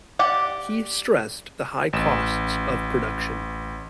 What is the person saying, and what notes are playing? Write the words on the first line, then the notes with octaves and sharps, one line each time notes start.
He stressed the high costs of production.
G4 D5 F#5
A1 E7